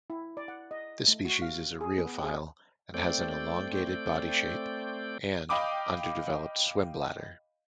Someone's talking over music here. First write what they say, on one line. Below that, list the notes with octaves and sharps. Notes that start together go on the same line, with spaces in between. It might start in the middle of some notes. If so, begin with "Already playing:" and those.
This species is a rheophile and has an elongated body shape and underdeveloped swimbladder.
E4
D5
F#5
D#5
A3
F#4
F5
G#4
B3
G#4
A3 C4 D5 G5
D#5 F5 G5 B5 D6 D#6